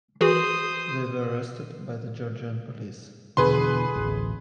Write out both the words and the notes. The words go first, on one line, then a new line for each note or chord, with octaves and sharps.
They were arrested by the Georgian police.
E3 F#4 G#4 C5 D#6
E2 B2 D3 G#4 B4 C6
A1 D2